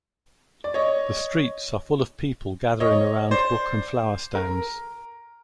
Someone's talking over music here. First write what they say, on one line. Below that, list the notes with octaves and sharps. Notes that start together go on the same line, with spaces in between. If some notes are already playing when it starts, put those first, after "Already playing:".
The streets are full of people gathering around book and flower stands.
D5
C#5 D#5
C#5 D#5
C5 D5
A#4